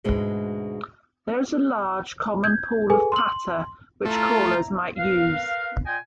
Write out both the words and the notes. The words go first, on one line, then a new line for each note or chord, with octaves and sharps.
There is a large, common pool of patter which callers might use.
D2 G#2 B2 G#3 D4
G6 G#6
G#4 A4 B4 G#5
C6 F#7
A3 E4 F4 A#5
A#4 B4 F5
A#2 D#5 G5 G#5